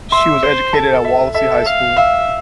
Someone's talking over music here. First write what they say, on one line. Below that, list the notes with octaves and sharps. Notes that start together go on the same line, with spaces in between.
She was educated at Wallasey High School.
E5 C6
C5
A4 A5
E5
A4 E5
F5
E5 F5